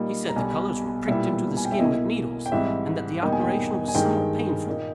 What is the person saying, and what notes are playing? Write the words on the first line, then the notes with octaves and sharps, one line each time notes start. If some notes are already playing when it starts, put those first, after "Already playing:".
He said the colors were pricked into the skin with needles, and that the operation was somewhat painful.
Already playing: A#2 G3 A#3 D#4
A#5
B1 B2 G3 G#5
B1 A#2 G3 B3 E4 E5
G#5
G5
E5
B1 B2 A#3 E4 D#5
G5
G#1 G#2 E3 G3 E5
E2 B2 G3 A#3 D#4 G5
G#5
G5
G#5
G2 D#3 G#3 D#4 G5
A#2 A#3 D#4